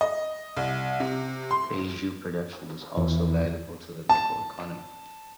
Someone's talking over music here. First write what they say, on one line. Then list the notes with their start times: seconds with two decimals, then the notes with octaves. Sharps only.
Baijiu production is also valuable to the local economy.
0.01 D#5
0.57 C2
1.00 C3
1.51 C6
2.97 E2
4.09 A5